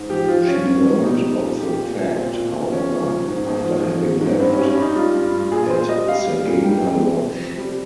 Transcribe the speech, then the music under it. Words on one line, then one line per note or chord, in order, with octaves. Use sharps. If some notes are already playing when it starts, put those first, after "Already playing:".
She learned of the fact, however, after having left, at Sagana Lodge.
Already playing: G#2
F3 G4
F3 F4
F3 C#4
G#2
F3
G3 D#4
G3
A#2
A#2 G4
A#2
A#2
A#2 C4
A#2
A#2
F3 C#4
F3
A#2
G#2
G#2
F3
F3
G#2
G#2
G2 C4
G3 C#4
C#4
G2 D#4
G3 F4
G2
G2
A#2 G#4
A#2 C5
G3 D#5
G3 F5
G3
A#2
G3 G5
F2
F2
C3
F2
G3